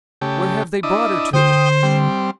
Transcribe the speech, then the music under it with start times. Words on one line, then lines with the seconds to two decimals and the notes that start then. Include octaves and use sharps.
Where have they brought her to?'
0.22 C#3 A3 G4
0.83 D4 E4 D#5
1.33 D3 C5 G5 D#6
1.83 G3 C4